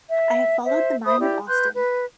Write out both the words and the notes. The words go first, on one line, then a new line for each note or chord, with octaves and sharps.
I have followed the mind of Austin.
E5
C5 E5
C5 E5 B5 D#6
E4 G4 D5
B4 C6 F#6 G6
B4